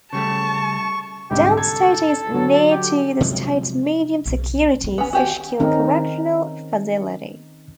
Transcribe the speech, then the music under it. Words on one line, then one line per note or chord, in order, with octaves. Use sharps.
Downstate is near to the state's medium security Fishkill Correctional Facility.
C#3 G3 A3 A5 C#6
C2 G#2 D3 G4
A4 G#6
D3 F#3
G4
C3 F3 F#3 G#3
B1 C#3
D#3 C4
B3 C#4
F#4 G4 G#5
D#3 C4 C#4 D#4 A#4